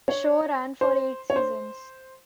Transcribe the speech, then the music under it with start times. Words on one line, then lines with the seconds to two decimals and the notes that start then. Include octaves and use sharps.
The show ran for eight seasons.
0.09 C#5
0.81 C5
1.30 C#5
1.36 C5